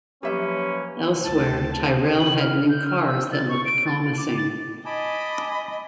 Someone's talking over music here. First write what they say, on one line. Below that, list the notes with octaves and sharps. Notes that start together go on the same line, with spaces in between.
Elsewhere Tyrrell had new cars that looked promising.
F3 F#3 A#3 C#4 G4 B4 E5
D2 A5
F#7
F6
G6
F6
E6
A6
C#6
D7
A6
D6
A6
D#5 G#5 A5 B5 D6